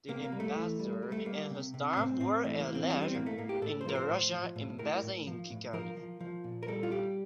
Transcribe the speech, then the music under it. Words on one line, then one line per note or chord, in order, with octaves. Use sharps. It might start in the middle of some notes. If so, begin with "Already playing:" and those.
The ambassador and her staff work at large in the Russian embassy in Kigali.
C3 A#3
A#3
G3
A3
E3
G3
G3
A3
G3 A#3
C3
C3
A2 C4
A2 C4
E3 A3
A#3
E3
C4
G3 D4
C4
A2 A#3
A3
A2 A#3
G4
A2 A4
C5
F3 A#4
C5
A2
F3
A2
A2 A#4
A2
F3
A2
F3 A#4
F3
F3
A#2
A#4
G3 A4
F4
G3 G4